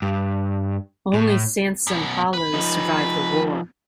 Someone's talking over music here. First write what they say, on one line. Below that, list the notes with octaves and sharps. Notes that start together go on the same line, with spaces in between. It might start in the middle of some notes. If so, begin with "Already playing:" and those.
Only Sansom-Hallowes survived the war.
G2
A2
F#2 B2
B4 B5
F3 D#4